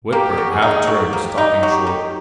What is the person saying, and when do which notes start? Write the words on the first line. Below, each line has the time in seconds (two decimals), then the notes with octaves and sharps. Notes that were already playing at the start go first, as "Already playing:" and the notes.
Whitburn half-turned, stopping short.
0.12 A#3 G4
0.38 F#3
0.50 G#4
0.62 D#4
0.87 F#3 G4
1.13 A#3
1.38 D#4
1.63 F#3
1.87 D#3